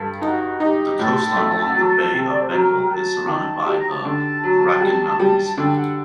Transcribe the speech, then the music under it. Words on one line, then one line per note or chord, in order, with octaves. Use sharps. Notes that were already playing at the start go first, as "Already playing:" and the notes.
The coastline along the Bay of Bengal is surrounded by the Arakan Mountains.
Already playing: G2 A4
D#4 F#4
D#4 G4
A2 A4
A3
F#3
C3
D5
C5
F#3 A#4
G5
F#3 A5
D#3 A5
G4 A5
A#5
A5
D3 A5
F#3
G3
G3
D3 G5
F#5